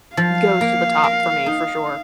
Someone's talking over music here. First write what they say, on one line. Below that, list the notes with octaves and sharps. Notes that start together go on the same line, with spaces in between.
goes to the top for me, for sure.
F3 F5
A#3
A#4
D#4